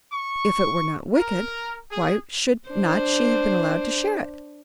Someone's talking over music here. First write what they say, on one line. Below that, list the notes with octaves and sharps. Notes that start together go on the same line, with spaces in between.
If it were not wicked, why should not she have been allowed to share it?
C#6
A#4
G#4
D4 C5